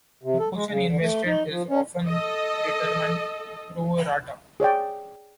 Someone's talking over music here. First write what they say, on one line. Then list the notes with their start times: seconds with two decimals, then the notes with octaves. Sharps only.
The portion invested is often determined pro-rata.
0.24 C3
0.39 A4
0.54 G#3
0.69 C#3
0.87 D3
1.01 A3
1.26 D#4
1.50 F3
1.70 C#4
2.07 A4 D#5
4.60 G#4 C#5 D5 G5